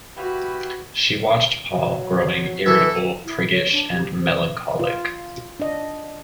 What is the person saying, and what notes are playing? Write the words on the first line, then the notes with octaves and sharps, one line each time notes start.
She watched Paul growing irritable, priggish, and melancholic.
E4 F#4 G4 B4
F#3
E3 A4 E5
E4
C#5
D4
G4
C5
F4
D4 D#5